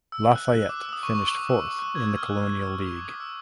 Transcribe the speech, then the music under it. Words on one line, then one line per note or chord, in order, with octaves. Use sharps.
Lafayette finished fourth in the Colonial League.
E6
F#6
F#6
D6
E6
D#6
C#6
C#6
D6
D#6
E6
F#6
G#6
G#6
F6
F#6
F6
E6
C#6
D6
D#6
D6
E6